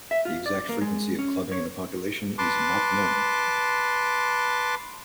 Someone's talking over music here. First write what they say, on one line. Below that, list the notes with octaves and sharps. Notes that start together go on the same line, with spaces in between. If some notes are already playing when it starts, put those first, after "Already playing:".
The exact frequency of clubbing in the population is not known.
E5
F4
D5
A#3
G#3
C#4
C#5
B4 A5 C6 D6